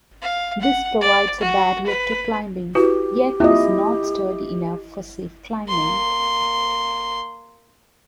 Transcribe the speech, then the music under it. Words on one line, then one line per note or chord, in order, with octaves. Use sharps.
This provides a barrier to climbing, yet is not sturdy enough for safe climbing.
F5
F#5
D5
F#4
B4
E4 F#4 G4 B4
A#3 C4 E4 F4 D#5
A#3 C6